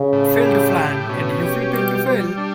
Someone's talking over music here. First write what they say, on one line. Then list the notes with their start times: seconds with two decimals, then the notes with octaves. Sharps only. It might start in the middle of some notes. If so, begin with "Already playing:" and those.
Fail to plan, and you Prepare to fail.
Already playing: C#3
0.13 A2
0.45 G4
0.77 A2
1.09 B2 C#4
1.41 G4
1.73 G3
2.06 G3
2.38 D4